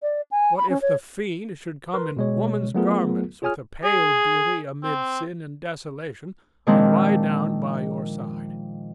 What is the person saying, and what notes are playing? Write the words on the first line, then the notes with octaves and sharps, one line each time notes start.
What if the fiend should come in woman's garments with a pale beauty amid sin and desolation, and lie down by your side?
D5
G#5
B5
C#4
C#5
A#4 B4 C6
B2 G#3 C#5
F#3 A3 B3 F4 G#4 A#4
F4 G#4 C#5 G#5 D#6 F6
G#4
C4
A#2 D#3 F3 G#3 C4 D4